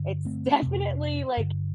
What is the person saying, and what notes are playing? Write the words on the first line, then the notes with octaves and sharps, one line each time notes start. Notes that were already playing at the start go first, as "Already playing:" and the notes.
it's definitely, like
Already playing: G2 D3
A3 C4
F2 C3
G2 D3